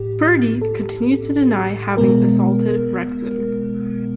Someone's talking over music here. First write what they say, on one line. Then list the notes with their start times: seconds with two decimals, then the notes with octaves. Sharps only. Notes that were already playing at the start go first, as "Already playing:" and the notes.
Burdi continues to deny having assaulted Reckzin.
Already playing: A2 G4
0.61 A4
1.97 B2 G#3 B3 A#4